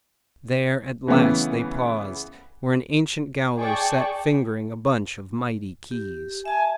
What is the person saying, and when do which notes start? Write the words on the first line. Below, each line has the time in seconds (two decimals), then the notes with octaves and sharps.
There at last they paused, where an ancient gaoler sat fingering a bunch of mighty keys.
1.07 C#3 E3 A3 B3
3.57 G#4 D5 G5 A5 C#6
5.91 G4
6.45 E5 G#5 A5